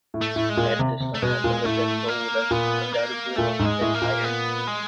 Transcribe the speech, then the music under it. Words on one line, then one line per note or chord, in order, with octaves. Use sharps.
Had this not happened, the death toll would have undoubtedly been much higher.
A2
A3
A2
G#3
A#2
C3
C3
A3
B2 G#3
A#2
A2 A3
A#3
A#2 B3
A#3
A#2 A3
G#2
G#3
A2
A#3
A#2
B3
G#3